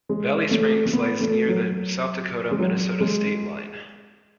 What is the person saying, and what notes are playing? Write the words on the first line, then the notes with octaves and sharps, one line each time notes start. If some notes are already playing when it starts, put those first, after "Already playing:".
Valley Springs lies near the South Dakota-Minnesota state line.
G#3
A3
A3
B3
A3
F#3
G#3
F#3
G#3